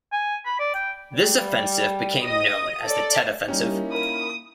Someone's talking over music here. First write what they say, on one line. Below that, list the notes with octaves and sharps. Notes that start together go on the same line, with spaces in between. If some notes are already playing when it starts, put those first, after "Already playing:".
This offensive became known as the Tet Offensive.
G#5
B5
D5
G5
G3
D#5 D#6
A4 D5
G3 A#3 C#4 D#4 E4 G4
A#4 B5 D#6